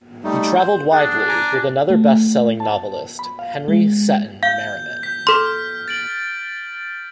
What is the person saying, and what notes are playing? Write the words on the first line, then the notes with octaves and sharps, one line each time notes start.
He travelled widely with another bestselling novelist, Henry Seton Merriman.
G3 A3 D#4
C5
D4 G#4 F#5
G#5 A#5 D6
A3
A5
B5
F5
G#3
F5 G6 G7
G6 B6
A4 C6 F6 B6
A6 D7 F#7